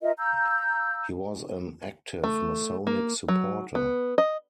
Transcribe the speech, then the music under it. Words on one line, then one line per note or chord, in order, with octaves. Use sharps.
He was an active Masonic supporter.
F4 A#4 D#5 E5
F5 A#5 E6 G6
A3
A#3
F#3
B3
D#5